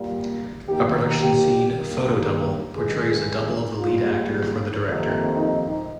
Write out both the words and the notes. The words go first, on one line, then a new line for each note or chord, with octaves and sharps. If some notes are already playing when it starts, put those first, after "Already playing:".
A production scene "photodouble" portrays a double of the lead actor for the director.
Already playing: A#2 G3 A#3
D#2 D#3 A#3 G4
G4
D#2 D#3 G3 A#3
G2 D#3 G#3 G#4
G#2 G3 A#3 F4
F2 C3 D#3 A#3
D#4